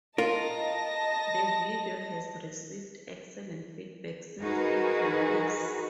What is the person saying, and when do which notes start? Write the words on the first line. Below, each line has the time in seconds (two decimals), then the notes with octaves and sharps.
The video has received excellent feedback since its release.
0.18 F4 A#4 D#5 A5 A#6
4.41 D#4 F#4 G#4 A#4 B4